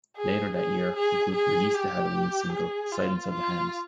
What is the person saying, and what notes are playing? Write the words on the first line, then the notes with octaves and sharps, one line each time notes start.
Later that year, the group released the Halloween single Silence of the Hams.
G#4
G#4
G#4
G#4
G4
G#4
F4
F4